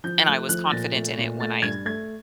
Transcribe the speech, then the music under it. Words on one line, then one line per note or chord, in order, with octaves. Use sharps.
and I was confident in it when I
F3 G6
A3 F#6
F3 F#6
A#6
A#2 A6
A3
A#2
A3 A6
G2 G#6
A3 G#6